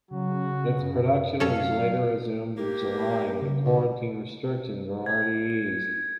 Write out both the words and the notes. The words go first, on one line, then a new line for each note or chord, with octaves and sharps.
Its production was later resumed in July when the quarantine restrictions were already eased.
C#3 F#3 F#4
F#2
F#2 F#3 C#4 A4 C#5 F5
A#3 G4
C#3
D#2
G#6